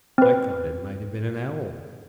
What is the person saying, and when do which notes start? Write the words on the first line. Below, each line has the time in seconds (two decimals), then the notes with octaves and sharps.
I thought it might have been an owl.
0.18 C4 B4